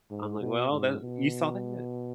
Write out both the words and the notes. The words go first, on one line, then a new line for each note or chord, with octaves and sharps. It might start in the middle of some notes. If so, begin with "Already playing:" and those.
I'm like, “Well, that “you saw that?
G#2
B2
G#2
B2